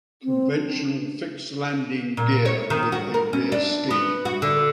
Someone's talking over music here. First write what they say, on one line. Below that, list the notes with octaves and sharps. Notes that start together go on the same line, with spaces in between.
Conventional fixed landing gear, with a rear skid.
C4
D4
A#2
C#5
D#3
F#4
A#4
C#4
D4
B3
F#4
D3